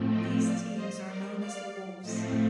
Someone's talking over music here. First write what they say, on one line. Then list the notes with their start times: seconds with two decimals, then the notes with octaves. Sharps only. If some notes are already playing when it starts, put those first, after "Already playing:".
These teams are known as the Wolves.
Already playing: A2 F3 A3 C4
0.09 D#5 G5
0.42 D5 F5
0.73 C5 D#5
1.06 A#4 D5
1.37 D5 F5
2.02 A2 F3 A3 C4 C5 D#5